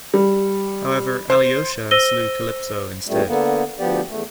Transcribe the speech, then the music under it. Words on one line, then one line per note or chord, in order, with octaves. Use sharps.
However, Alyosha slew Calypso instead.
G3
C5
C5 E6 A#6 D#7 G7
E2 G2 A#2 G3 A3
D3 A#3 B3
D2 F3 B3 G4 D5
E2 A3